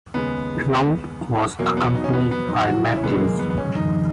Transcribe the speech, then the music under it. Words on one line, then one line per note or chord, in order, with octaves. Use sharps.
Lount was accompanied by Matthews.
D#2 C#3 G#3 B3
E2 B2 F#3 A#3
B3
D#4
C#4
B3
B3
D#4
F#4
E4
C#4
F#2 C#3 G#3 B3
A#3
B3
B3
C#4
D#4